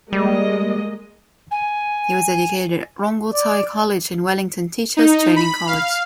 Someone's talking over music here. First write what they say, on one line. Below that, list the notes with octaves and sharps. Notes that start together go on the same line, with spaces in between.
He was educated at Rongotai College and Wellington Teacher's Training College.
G3 G#3 A#3 D#5
G#5
D5
D#4
B5
F5